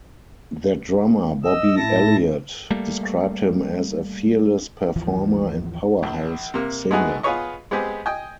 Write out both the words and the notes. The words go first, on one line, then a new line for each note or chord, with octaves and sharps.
Their drummer Bobby Elliott described him as "a fearless performer and powerhouse singer".
D#5 E6
A2 E4 A5 A#6
G3 A3 A#3
G#1 D#2 E3 F3
A#1
C3 A#3
G#3 A3 B3 D#4 F#4 G#4
B3 F4 G#4 B4 C#5 D#5
G#3 B3 C4 G4 G#4
D#5 G5 G#5